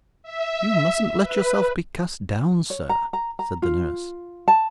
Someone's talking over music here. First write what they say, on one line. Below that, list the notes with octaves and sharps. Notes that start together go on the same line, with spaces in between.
'You mustn't let yourself be cast down, sir,' said the nurse.
E5
B4
C#5
A#5
A#5
A#5
F4
A5